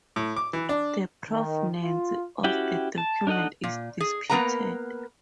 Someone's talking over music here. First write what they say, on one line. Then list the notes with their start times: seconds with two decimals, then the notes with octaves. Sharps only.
The provenance of the document is disputed.
0.16 A2
0.37 D6
0.53 E3
0.69 D4
1.30 D#3
1.81 F4
2.44 C#4 E4 F#4 G4 G5
2.98 A5
3.27 D4 D#4 A4 D#5 F#5
3.64 A#2
4.00 G#4
4.30 A#3 B3 A#4 B4 F#5 A#5